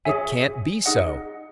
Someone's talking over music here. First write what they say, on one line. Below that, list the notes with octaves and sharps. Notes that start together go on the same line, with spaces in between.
It can't be so!
G#4 C#5 E5 G#5
D#4 G#4 D#5 F#5